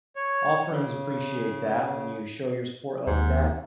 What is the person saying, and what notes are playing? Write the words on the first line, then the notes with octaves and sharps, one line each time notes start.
all friends appreciate that when you show your support like that.
C#5
C#3
D#2 G#2